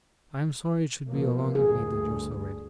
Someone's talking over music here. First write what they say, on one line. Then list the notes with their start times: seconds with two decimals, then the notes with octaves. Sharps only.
I am sorry it should be along of me that you're so ready.'
1.09 B2 F3 A#3
1.55 D2 G2 G#4